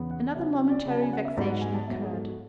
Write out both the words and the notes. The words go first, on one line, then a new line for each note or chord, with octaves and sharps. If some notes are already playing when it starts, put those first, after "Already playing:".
Another momentary vexation occurred.
Already playing: E2 C#3 B3
F#5
C#3 F#3 B3 E5
C#5
D5
C#3 F#3 B3 A5
G#5
F#5
E5
G#2 F#3 B3 D5
F#5
G#5
A5
G#2 F#3 B3 E5
G#4
A4
F#4